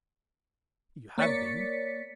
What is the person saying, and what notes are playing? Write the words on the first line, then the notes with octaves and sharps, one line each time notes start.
"You have been."
A#3 C#5 D5 A6 B6 C#7